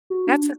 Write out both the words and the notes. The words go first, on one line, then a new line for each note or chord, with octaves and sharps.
that's a
F#4
D4